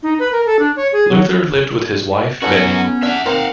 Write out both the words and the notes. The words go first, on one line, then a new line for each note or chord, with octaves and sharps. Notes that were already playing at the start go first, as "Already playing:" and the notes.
Luther lived with his wife, Betty.
D#4
B4
A#4
A4
D4
C#5
G#4
F#3
F#2 F#3 B3 C#4 D#4 F#4 A4
D4 E5 F#5
A#3 C4 D#4 F5 F#5